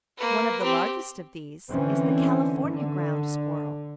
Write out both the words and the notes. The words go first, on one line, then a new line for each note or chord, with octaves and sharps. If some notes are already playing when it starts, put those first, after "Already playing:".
One of the largest of these is the California Ground Squirrel.
A#3 B4
C4 G4
D3 E3 C4 C#4
D3